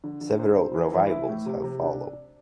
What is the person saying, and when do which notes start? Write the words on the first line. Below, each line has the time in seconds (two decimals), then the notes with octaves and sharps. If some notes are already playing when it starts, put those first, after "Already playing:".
Several revivals have followed.
0.04 D3
0.21 D3
0.39 C5
0.57 C4
0.74 E3
0.92 E3
1.11 E4
1.28 A2
1.46 C3
1.64 C3
1.82 D4